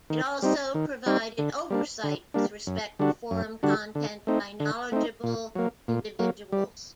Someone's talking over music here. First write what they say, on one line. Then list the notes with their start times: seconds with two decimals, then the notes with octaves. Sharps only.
It also provided oversight with respect to forum content by knowledgeable individuals.
0.10 D#3
0.42 G3 C4 D#4
0.74 D#3
1.06 G3 C4 D#4
1.38 D3
1.70 G3 A#3 D4
2.03 D3
2.34 G3 A#3 D4
2.67 F#2
2.99 D3 G3 D4 F#4
3.31 F#2
3.63 D3 G3 D4 F#4
3.95 D3
4.27 A3 C4 D#4
4.60 D3
4.92 A3 C4 D#4
5.24 A#2
5.55 F#3 A#3
5.88 A#2
6.19 F#3 A#3
6.53 G3